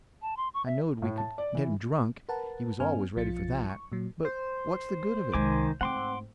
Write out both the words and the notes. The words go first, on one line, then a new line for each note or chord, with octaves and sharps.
I knowed we could get him drunk--he was always ready for that--but what's the good of it?
A5
C6
C#6
E5
A2
A5
D5
E3
A#4 B4 F#5 A5
G2 B3 C#4 G#5 F6
B1 F3 F4 A6 C#7
C#6
A#2 F#3
C5
C2 D#3 G#3 G#5 D6
G#2 A3 C4 F#5 C6 D6